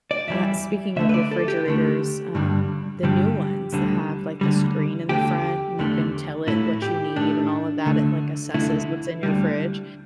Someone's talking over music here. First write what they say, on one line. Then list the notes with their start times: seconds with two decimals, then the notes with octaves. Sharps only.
uh, speaking of refrigerators, um, the new ones that have, like, the screen in the front, and you can tell it what you need, and all of that, it like assesses what's in your fridge,
0.11 D5
0.27 E2 E3 G3 E5
0.96 D2 D3 A3 E5
1.09 B4
1.14 D5
1.31 A4
1.48 G4
1.66 D2 D3 A3
2.35 G2 D3 G3
3.03 G2 D3 G3 G4
3.73 D2 D3 G3
4.41 D2 D3 G3
5.09 E2 D3 A3 G4
5.79 E2 D3 A3
6.47 A2 A3 E4
6.82 G4
7.16 A2 A3 D4
7.85 D2 D3 A3
8.54 D2 D3 A3 E4
9.23 D2 D3 G3